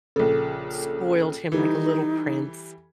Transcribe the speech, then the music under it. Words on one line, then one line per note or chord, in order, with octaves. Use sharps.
spoiled him like a little prince.
A#1 C#3 A4
E3 G3 D#4